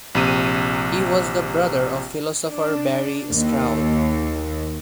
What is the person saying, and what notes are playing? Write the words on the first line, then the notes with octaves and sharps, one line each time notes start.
He was the brother of philosopher Barry Stroud.
A#1 C3 D#7
D4
D#2